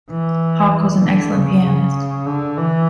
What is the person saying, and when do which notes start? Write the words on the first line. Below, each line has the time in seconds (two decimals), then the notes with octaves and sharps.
Hawke was an excellent pianist.
0.10 E3
1.03 D3
1.33 C#3
1.64 C#3
2.26 D3
2.57 E3